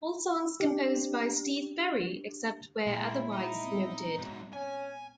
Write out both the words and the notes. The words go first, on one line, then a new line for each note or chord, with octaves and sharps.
All songs composed by Steve Perry, except where otherwise noted.
D4 G4
A#2 G#3 A#3 C4 E4
D#4
B3 C4
G#2 F#3
C#4 G#5